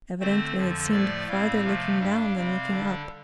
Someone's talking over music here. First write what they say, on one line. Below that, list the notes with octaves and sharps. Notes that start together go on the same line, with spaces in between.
Evidently it seemed farther looking down than looking up.
D3 A3 C4 C5
F2 D3 F3
A2 F3 A3 D5
A2 G3 C4 F5
C3 F3 A3 F5
G2 G3 D4
C3 G3 C4
D3 G3 D4